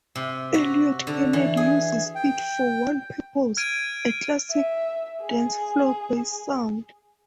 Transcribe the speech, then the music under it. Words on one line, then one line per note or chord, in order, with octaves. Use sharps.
Eliot Kennedy uses it for one purpose, a "classic dancefloor bass sound.".
C3
F#4
D3
E3
G#4
G5
F6 G#6 D7 D#7
E5
G#4